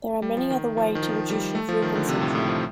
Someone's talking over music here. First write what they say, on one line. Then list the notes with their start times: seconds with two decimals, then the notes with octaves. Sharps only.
There are many other way to reduce your fuel consumption.
0.22 G3
0.37 F3
0.50 D#3
0.77 F3
0.95 D#3
1.03 F3
1.30 G3
1.55 A3
1.69 F3
1.82 D#3
1.96 D3
2.09 C3
2.21 A2
2.35 A2
2.48 F3